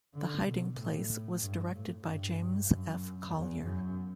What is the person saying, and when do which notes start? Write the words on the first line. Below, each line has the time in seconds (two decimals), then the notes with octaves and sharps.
"The Hiding Place" was directed by James F. Collier.
0.14 D3
0.46 B2
0.77 A2
1.42 G2
1.73 A2
2.05 G2
2.69 F#2
3.33 E2
3.64 F#2